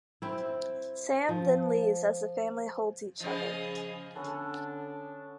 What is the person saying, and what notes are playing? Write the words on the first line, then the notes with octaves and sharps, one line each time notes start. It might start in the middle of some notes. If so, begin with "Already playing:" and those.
Sam then leaves as the family holds each other.
C4 E4
F3
C#3 F3 G#4 D#5
D3 B3 C#4 D4 A4